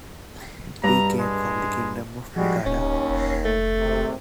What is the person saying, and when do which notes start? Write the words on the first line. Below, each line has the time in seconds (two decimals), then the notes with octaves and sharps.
He came from the kingdom of Magadha.
0.83 G2 A#5
1.19 G#3
2.36 F3 G3 G#3 F#4
2.66 D1 D#2 C#4
3.09 F1
3.45 A3
3.78 G#1 C3